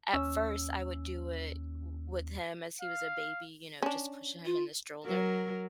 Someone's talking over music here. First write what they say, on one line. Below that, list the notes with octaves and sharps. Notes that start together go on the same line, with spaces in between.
at first, I would do it w with him as he was a baby, you know, just pushing him in the stroller.
D#2 C#4 E6
F5
C#4 D4
F4
F#3 A#4